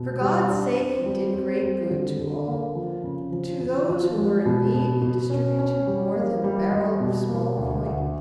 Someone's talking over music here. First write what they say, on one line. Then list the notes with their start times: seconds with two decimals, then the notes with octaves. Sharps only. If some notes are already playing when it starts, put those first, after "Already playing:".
For God's sake he did great good to all: to those who were in need he distributed more than a barrel of small coins.
Already playing: B2
0.21 G3
0.49 D4
0.77 C4
1.06 G3
1.33 C4
1.62 G3
1.91 D3
2.19 D3
2.47 A#3
2.75 F3
3.03 C#3
3.32 F3
3.61 F3
3.89 F3
4.18 G#3
4.45 B2
4.74 B2
5.02 B2
5.30 C#4
5.59 C#4
5.87 G3
6.16 A#3
6.44 G3
6.72 G3
7.00 B2
7.29 A#3
7.57 D2
7.86 D2